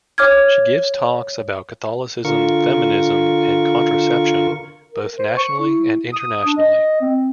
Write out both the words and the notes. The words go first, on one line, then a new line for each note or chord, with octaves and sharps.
She gives talks about Catholicism, feminism, and contraception, both nationally and internationally.
C#5 D6 F6 G#6
D3 F4 A#4 C#6
A#4
C5
C#6
E4
D#6
D4
D#5
C4